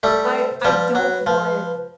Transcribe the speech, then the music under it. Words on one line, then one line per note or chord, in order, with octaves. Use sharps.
I I don't want
G3 A3
B4
B4
C5
C5
F3 G3 B4
F#3
F3